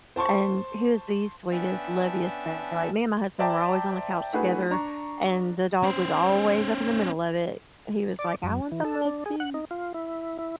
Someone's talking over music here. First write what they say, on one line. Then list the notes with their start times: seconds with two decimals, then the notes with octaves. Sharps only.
And he was the sweetest, loviest thing. Like, me and my husband were always on the couch together, and the dog was always up in the middle of it. He was like, "I want some love too."
0.16 C5 A5 C6 C#6
1.52 B3 C#4 D4 E5 G5 A5
3.39 C5 D5 E5 G5 A5 A#5
4.33 A3 D4 E4 F#4 G#4 B4
4.70 D4 A#5 C#6
5.83 C#4 C5
8.19 D5
8.43 F#2
8.72 E3
8.85 A4
9.05 D4
9.26 G#4
9.40 F#5
9.54 D#4
9.71 F4
9.94 E4
10.39 E4